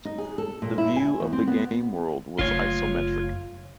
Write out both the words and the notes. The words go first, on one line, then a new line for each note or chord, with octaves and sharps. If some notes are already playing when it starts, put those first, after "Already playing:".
The view of the game-world was isometric.
D#4
G#4
A4
A#2
E4
G#5
E2
C4
B3
F#1 A3 F4 C#5